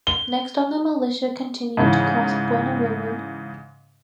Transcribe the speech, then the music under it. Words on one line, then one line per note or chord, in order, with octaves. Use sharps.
Next on the militia continued to cross Bueno River.
G7
G#2 C#3 E3